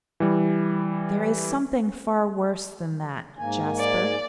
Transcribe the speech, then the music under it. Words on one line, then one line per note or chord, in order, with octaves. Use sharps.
'There is something far worse than that, Jasper.'
E3 G3
G#2 A#3 G#5
D5